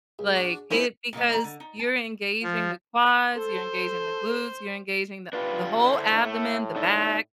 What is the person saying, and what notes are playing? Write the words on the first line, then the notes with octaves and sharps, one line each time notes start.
like, it because you're engaging the quads, you're engaging the glutes, you're engaging the the whole abdomen, the back,
C#2 G#4
D4 F#4 D6
F2 F3 C#4 D#4 E4
A#2 F#3 A#3 D#5
A#3 A#5
D3
D#4
A5
F3
A4 C5
D4 F4 G4 B4
D3 D4 E4 C5
A2 A3
D#4 D5 E5